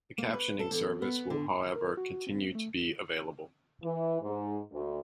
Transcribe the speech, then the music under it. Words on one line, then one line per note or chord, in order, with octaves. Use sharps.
The captioning service will however continue to be available.
A#3
B4
A4
E2
B3
D3
A#4
F#4
C4
A3
E3
G#2
D2